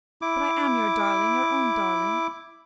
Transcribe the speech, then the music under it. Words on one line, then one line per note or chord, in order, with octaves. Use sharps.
But I am your darling, your own darling.
E4 D6